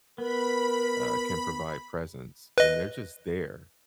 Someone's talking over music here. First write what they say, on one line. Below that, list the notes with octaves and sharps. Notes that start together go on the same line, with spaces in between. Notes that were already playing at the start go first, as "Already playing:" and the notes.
uh, can provide presence and they're just there,
B3 A#4 B5
B4 D#5